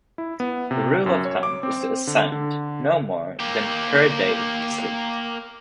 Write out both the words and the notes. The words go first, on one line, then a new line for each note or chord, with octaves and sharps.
The rule of thumb is to ascend no more than per day to sleep.
E4
B3
C3
F#2
C#5
D6
C4
D3
D3
A#3 G4